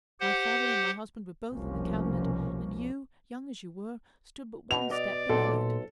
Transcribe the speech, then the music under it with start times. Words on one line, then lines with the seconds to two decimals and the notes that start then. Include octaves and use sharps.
My father and my husband were both in the Cabinet, and you, young as you were, stood but one step below it.
0.20 G4 C5 F#5
1.53 F1 C2 B2 F3 A#3 C#4
4.71 B2 F7
4.91 D5 D#5
5.29 B1 A#2 A4 C6